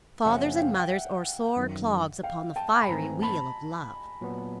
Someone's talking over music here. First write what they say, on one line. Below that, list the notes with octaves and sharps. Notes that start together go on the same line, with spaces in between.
Fathers and mothers are sore clogs upon the fiery wheel of love.
F#2 C#3 F3 A#3 C#4 E5 F#5
F5 G5
G5
E5 F#5
F#2 D#3 F#3
F5 G5
G5 A5
B5
G#2 E3 A3 C4 G#5 A#5
A5 B5
A#2 F#3 B3